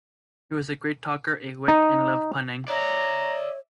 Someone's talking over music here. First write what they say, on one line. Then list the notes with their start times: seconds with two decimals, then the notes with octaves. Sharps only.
He was a great talker, a wit, and loved punning.
1.68 D#4
2.68 C#5 D5 E5 A#5